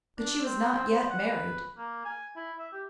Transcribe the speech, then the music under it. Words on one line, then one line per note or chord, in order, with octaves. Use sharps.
But she was not yet married.
D4
C4
C4
C5
F#5
B4
A#3
G#5
E4
E5
G4